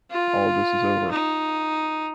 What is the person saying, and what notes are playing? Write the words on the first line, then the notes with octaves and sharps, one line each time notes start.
all this is over,
F4
D#4